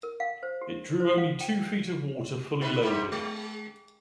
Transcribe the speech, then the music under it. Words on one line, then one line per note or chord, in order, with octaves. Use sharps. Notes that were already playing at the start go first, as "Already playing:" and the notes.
It drew only two feet of water fully loaded.
A#4
F5
C5
G4
C5
F5
G5
B2 D#4 B4
G#2 D#4 G4
G#3